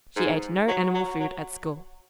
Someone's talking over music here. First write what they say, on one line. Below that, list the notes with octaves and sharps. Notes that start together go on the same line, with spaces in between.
She ate no animal food at school.
G#2
F#3
F#3
F#3